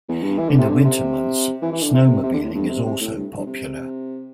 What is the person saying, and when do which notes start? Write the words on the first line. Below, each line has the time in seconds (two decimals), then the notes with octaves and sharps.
In the winter months, snowmobiling is also popular.
0.09 E2
0.23 G2
0.39 E3
0.49 D3
0.59 C3
0.69 D3
0.85 C3
1.62 E3
1.72 E3
1.82 D3
1.94 C3
2.23 C3
2.34 D3
2.44 A2
2.54 G2
2.70 C3
2.86 C3
3.00 A2
3.17 G2
3.37 G2
3.46 C3